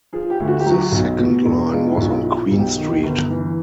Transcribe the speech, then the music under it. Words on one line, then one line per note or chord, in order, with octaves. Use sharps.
The second line was on Queen Street.
F3 G#4
G4
D2
F#4
G4
F#3 F#4
B1
B2
E1
G#3 F4
E4
B1 F#4
F4
F3 E4
B1
G4
D#3
G1
E3